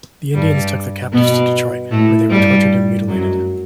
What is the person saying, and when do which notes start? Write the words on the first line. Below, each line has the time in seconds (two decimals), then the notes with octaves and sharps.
The Indians took their captives to Detroit, where they were tortured and mutilated.
0.34 G2 G3
1.13 B2 B3
1.91 A2 A3
2.30 G2 G3
3.08 F#2 F#3